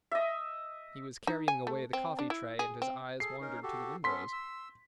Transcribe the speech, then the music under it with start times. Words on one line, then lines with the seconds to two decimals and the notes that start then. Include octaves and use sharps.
He was carrying away the coffee tray and his eyes wandered to the windows.
0.11 D#5 E5
1.27 D#4
1.48 G#5
1.67 A3
1.93 C4
2.19 D4
2.30 E4
2.59 G#4
2.82 C4
3.20 G#4 A4 C7
3.41 C#4 D#4 A#4
3.63 F#4 G4 A4
4.04 B3 C#4 A4 C6 B6
4.33 E6